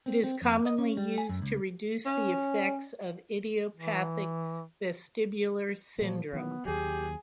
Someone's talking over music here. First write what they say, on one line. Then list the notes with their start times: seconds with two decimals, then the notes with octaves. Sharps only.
It is commonly used to reduce the effects of idiopathic vestibular syndrome.
0.06 C4
0.24 C4
0.42 F2
0.65 D#5
0.79 C#4
0.97 G3
1.18 G#5
1.29 F#2
1.42 C#2
2.06 C#4
3.77 E3
5.99 A#2 F3 G3
6.33 D#3 E3 F#3 B3
6.65 D#2 F#3 G4 G#4